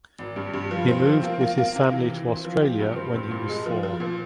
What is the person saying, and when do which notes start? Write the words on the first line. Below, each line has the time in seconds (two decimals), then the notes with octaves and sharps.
He moved with his family to Australia when he was four.
0.19 G#1
0.36 G2
0.54 G2
0.71 F3
0.88 C4
1.06 F3
1.23 A#3
1.41 A#3
1.58 A#3
1.76 C3
1.93 E3
2.09 E3
2.28 C4
2.45 F3
2.62 G4
2.79 G2
2.96 C4
3.14 G2
3.31 A#2
3.49 G#3
3.66 F3
3.83 F3
4.00 A#2